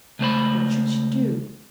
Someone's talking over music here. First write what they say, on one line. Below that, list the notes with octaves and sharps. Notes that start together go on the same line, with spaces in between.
What should she do?
C#2 A3 C5 B5